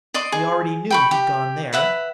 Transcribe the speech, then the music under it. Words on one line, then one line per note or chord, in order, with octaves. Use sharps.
"We already knew he'd gone there."
D5 D#5 C6 D6
G#4
G5 B5 C#6
G4
B4 E5 F#5